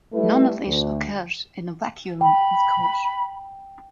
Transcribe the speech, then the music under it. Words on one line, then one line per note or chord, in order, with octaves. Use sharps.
None of this occurs in a vacuum, of course.
G3 A3 E4 A4 B4
D2
G5 B5